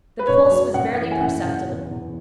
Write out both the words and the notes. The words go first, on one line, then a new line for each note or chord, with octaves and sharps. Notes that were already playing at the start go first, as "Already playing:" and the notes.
The pulse was barely perceptible.
B4
F#1 C#5
F#3
F#1 F#5
E3
G#5
F#1 F#5
F#1
E2
E2